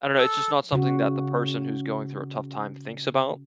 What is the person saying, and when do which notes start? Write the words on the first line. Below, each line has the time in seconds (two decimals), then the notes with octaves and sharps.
I don't know, it's just not something that the person who's going through a tough time thinks about,
0.18 A4
0.72 C#3 F#4